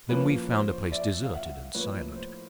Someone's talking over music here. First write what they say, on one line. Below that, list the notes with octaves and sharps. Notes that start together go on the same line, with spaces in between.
Then we found a place deserted and silent.
F3 A#3 C#4 B4
C5
D5 E5
F5
E5 F#5
A2 F3 A#3 B4 C#5
C5